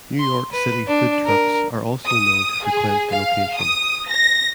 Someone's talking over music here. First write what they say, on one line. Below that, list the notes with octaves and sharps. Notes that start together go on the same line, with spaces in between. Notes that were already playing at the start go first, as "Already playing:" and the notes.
New York City food trucks are also known to frequent the location.
C6
B4
D4
A#4
D#6
G#4
F5
D#6
A#6